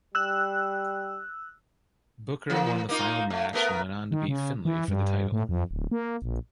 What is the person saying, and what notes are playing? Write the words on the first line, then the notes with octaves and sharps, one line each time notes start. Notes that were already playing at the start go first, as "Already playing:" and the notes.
Booker won the final match and went on to beat Finlay for the title.
G3 E6 F#6
E3 A#3
A#3 D#4 F4
A3
A3 B3 A#4
D#3
C#3
E3
G2
A2
F2
D1
A#3
A#1